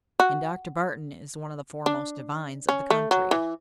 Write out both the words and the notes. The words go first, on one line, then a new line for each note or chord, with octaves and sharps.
And Dr. Barton is one of the foremost divines of the country.
F#4
D4
C#4
A3
F#3
E3